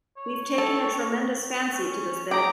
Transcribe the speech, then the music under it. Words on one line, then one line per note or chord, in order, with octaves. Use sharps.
We've taken a tremendous fancy to this bit.
C#5
A4
C#4
G#4 G5 A#5 D6